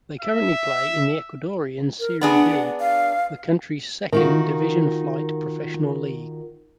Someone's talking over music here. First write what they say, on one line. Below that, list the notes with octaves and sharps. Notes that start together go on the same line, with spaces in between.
They currently play in the Ecuadorian Serie B, the country's second division-flight professional league.
E5
A#4
B3 D4 G#4 F#5
F5
D#3 D#4 F4 F#4 A#4